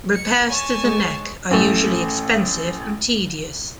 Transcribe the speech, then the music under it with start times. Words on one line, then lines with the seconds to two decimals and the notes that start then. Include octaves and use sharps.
Repairs to the neck are usually expensive and tedious.
0.14 C#7
0.48 C#5 G#5 A5
0.84 G#3
1.51 A1 A3